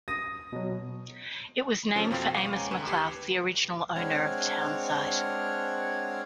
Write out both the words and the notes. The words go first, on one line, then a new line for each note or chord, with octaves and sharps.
It was named for Amos McLouth, the original owner of the town site.
D#6 A#6
B2 F#3
C3 F3 C#4 F4 A4
F2 B2 A#3 C4 F5 G5
F5 F#5 C#6 D6 D#7
C#2 C#5 G#5 A#5
C#2 D3 B4 C#6 E7
D#2 G4 B4 G#6 C7 C#7
G#3 C4 D4 C#5 F#5 F6